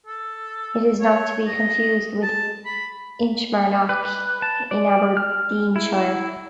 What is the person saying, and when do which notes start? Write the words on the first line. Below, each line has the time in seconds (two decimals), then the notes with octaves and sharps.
It is not to be confused with Inchmarnock in Aberdeenshire.
0.06 A4
1.00 C#5
1.46 D#5
2.23 A5
2.65 B5
3.89 B4
4.42 A5
4.71 D5
5.17 F6
5.76 E4